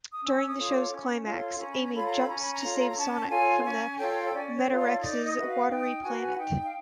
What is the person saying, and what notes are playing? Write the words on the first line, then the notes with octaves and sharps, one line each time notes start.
During the show's climax, Amy jumps to save Sonic from the Metarex's watery planet.
D#6
C#4 E6
D#6
F4 A4 C#5
D6
C#4
F4 A4 C#5
C#4 A#5
B5
A#5
F4 A4 C#5 B5
A#5
B5
C#4 A#5
B5
A#5
F4 A4 C#5
A#5
C#4 A5
F4 A4 C#5 G#5
C#4 G#5
F4 A4 C#5 G5
C#5
C#4 D5
C#5
F4 A4 C#5
D5
D#4 D5
D#5
F#4 B4 E5
F5
D#4 G5
F#4 B4 G#5
A5
G#5
F#5
D#4 G5
F5